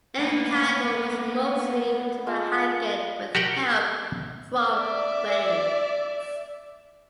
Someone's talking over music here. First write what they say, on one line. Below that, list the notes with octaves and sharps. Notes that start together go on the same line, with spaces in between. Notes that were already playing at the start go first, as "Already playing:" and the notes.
"Entangled" was mostly written by Hackett, with help from Banks.
A#3 B3
G#3 F4 A5
F#4 G4 A#4 F#5 G5
D5 E5